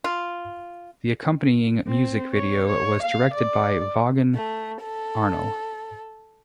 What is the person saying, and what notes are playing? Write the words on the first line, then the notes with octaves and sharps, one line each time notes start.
The accompanying music video was directed by Vaughan Arnell.
F4
C4
C#5
C#5
F5
D5
A3
A4